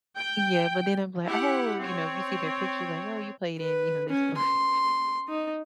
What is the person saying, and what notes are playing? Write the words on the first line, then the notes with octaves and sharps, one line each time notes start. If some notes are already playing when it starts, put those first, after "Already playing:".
Yeah, but then I'm, like, "Oh," you know, if you see their picture, like, "Oh, you played in, you know, this movie.
G5
E4 G4 F#5
C4 C#5
B4
C#4
C6
D#4